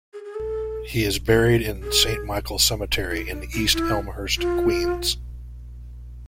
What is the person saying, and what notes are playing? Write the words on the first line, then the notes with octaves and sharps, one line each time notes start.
He is buried in Saint Michaels Cemetery in East Elmhurst, Queens.
G#4
G#4
A4
G#4
E4
D4
E4
E4
F4